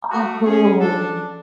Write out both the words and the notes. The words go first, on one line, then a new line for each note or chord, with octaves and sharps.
Oh, cool.
A3 F#4
C#4 G#4
D4 A4